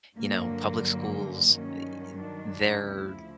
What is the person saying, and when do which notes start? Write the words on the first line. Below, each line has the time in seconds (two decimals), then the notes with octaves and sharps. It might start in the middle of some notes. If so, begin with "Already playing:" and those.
you know, public schools, e e they're
0.16 G2 D3 F#3 A#3
1.52 G2 D#3 F#3 C#4
2.20 D4
2.87 D2 C#3 F3 E4